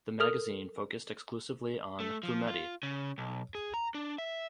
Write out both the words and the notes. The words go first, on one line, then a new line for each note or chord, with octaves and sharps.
The magazine focused exclusively on "fumetti".
A4 A#4 D#6 F6 F7
A3
F3
F4
C#3
B1
G#4
A#5
D4
E5